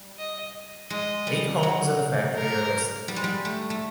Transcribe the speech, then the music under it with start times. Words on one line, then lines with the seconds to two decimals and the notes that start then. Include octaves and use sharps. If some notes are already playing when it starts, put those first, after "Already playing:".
Eight homes and the factory are listed.
Already playing: G3
0.19 D#5
0.90 G#3 D#5
1.27 G3
1.63 F#3
2.36 A#4
3.08 G3
3.16 G#3
3.24 G3
3.45 A3
3.70 A3